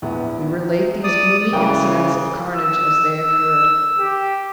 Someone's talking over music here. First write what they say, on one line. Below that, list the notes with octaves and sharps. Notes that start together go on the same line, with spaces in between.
We relate these gloomy incidents of carnage as they occurred.
A#1 E2 B3
D5 D#6
C#3 E3 A#4 G5
E6
E6
G4